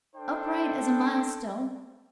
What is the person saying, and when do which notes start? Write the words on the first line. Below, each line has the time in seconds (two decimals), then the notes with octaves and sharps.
Upright as a milestone.
0.16 D4 A4 C5 G5